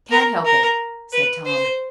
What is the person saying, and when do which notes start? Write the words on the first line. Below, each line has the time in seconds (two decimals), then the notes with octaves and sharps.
"Can't help it," said Tom.
0.10 A#4
0.45 A#4
1.12 B4
1.45 C5